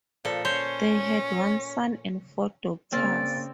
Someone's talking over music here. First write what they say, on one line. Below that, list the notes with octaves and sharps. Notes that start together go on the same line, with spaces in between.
They had one son and four daughters.
A#2 F3 A4
C#4 C5 C#5
C#3 A#3 C4 D5